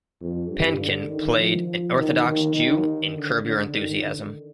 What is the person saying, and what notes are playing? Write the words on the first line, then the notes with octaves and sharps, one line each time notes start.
Pankin played an Orthodox Jew in "Curb Your Enthusiasm".
F2
G2
D3
D#3
F3
F3
D#3
D#3
D#3
D3
D3
D#3
D3